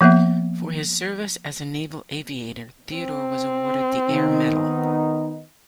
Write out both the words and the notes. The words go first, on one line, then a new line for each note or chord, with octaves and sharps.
For his service as a naval aviator, Theodore was awarded the Air Medal.
F3 A#3 B3 E5
C4
D#3 B3 D#4